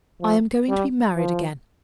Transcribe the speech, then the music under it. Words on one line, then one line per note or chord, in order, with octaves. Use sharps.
I am going to be married again.
F3
G3
F3